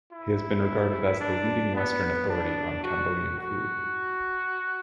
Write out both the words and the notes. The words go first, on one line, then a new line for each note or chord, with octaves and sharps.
He has been regarded as the leading Western authority on Cambodian food.
E4
D4
B3
D4
F#4
F#4